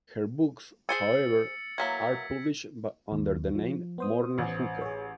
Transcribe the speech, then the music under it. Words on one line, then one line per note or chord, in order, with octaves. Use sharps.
Her books, however, are published under the name Morna Hooker.
G#4 C5 G#5 E6 A6 C#7
E3 F#3 A#3 G#6 B6
D#2
F3
B3 C5 D#6
A1
G#4 C#5